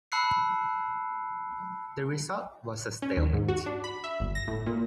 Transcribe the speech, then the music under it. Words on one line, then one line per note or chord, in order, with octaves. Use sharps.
The result was a stalemate.
A5 B5 E6 F#6 C7 C#7
C#4
D#2
G#2
F#4
D4
B5
E5
G1
A#6
A2
A#2